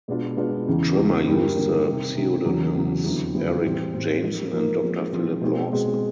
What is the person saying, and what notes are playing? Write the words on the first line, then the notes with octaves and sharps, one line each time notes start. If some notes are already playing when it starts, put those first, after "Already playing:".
Trimmer used the pseudonyms Eric Jameson and Doctor Philip Lawson.
B2 G#3 B3 D4 F4
B2 G#3 B3 D4 F4
E2 C#3 E3
E2 C#3 E3
G2 D3 G3 A#3
G2 D3 G3 A#3
C3 D#3 G3
C3 D#3 G3
E2 C#3 F#3
E2 C#3 F#3
F2 D3 F#3 B3 E4
F2 D3 F#3 B3 E4
A2 E3 G3 C4
A2 E3 G3 C4
F3 A#3 D#4
F3 A#3 D#4
F3 G#3 C4
F3 G#3 C4
B2 G#3 C4
B2 G#3 C4